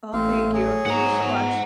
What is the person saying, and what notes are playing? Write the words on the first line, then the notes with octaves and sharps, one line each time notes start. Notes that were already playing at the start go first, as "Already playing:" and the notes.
Oh, thank you, thank you so much.
A1 A3 C4 F5
F#3 G#4
G#2 F#5 A#5
B3